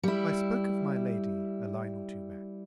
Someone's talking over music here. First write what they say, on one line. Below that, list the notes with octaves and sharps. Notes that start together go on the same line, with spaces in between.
I spoke of my lady a line or two back.
G3 E4